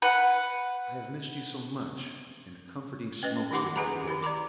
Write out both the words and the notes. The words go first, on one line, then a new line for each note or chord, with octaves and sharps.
I have missed you so much--and the comforting smokes we had together?
B4 F#5
C#4 B4 D#5
D#3 D#4 G4 F#5 C6 D6
G#4 B4 F#5 G#5 A#5 B5
D#3 E4 G4
D5 A#5 B5 D6